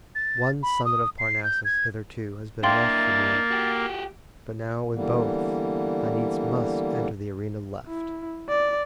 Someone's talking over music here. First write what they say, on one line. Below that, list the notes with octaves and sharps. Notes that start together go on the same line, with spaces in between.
One summit of Parnassus hitherto Has been enough for me, but now with both I needs must enter the arena left.
A6
B5
D#6
C7
G6
G#6
A#3 D4 E4 F5 G5 C6 A6
F#4 G4
D3 E3 G3 A#3 B3
E4
D5